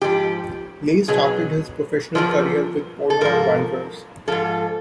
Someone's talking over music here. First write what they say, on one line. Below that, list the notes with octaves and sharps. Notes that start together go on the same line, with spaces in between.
Lee started his professional career with Bolton Wanderers.
G#2 F3 G4
B2 F#3 G#4
E2 C#3 F3 A#4
A4
G#2 F3 A#4
G#2 F3 A4